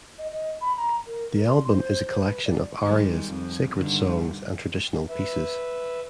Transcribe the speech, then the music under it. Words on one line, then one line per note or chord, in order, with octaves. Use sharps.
The album is a collection of arias, sacred songs and traditional pieces.
D#5
D#5
B5
A#5
A#4
A#4
C6
C5
B4
D5
D#3 G3 G#3
F2
G2 D3 D#3
B4 E5